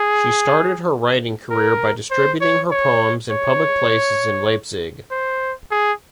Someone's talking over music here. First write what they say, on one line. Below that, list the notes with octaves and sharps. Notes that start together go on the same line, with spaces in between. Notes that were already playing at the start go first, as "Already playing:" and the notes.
She started her writing career by distributing her poems in public places in Leipzig.
Already playing: G#4
A#4
C5
C#5
C#5
C#5
C5
G#4